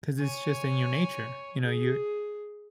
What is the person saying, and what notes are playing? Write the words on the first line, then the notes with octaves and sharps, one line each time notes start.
'Cause it's just in your nature, you know, you're
C#5 G#5
G#4